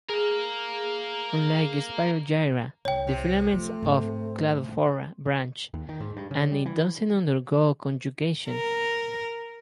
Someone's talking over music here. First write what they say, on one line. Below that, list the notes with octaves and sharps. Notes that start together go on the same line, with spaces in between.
Unlike "Spirogyra" the filaments of "Cladophora" branch and it doesn't undergo conjugation.
G#4 A#4 F5
C2 C#5 G5
C3
F3 A3
G#2 C4
D#2
D#3
G#2
G2
C#3
G3
E3
A#4